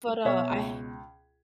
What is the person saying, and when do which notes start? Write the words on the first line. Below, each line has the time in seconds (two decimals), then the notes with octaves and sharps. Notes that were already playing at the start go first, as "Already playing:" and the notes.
but, uh, I
0.25 B2 C#5 E5
0.51 C#2